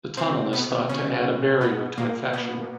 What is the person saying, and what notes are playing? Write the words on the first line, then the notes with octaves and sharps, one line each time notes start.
The tunnel is thought to add a barrier to infection.
C3 C4
B2 B3
C#3 C#4
B2 B3
A#2 A#3
B2 B3